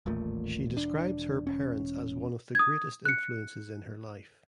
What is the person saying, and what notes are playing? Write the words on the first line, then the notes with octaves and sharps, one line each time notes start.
She describes her parents as one of the greatest influences in her life.
D#1 A1 A#2 A3
E1 D4
E1 C#4
D#6 G#6
F#6 C#7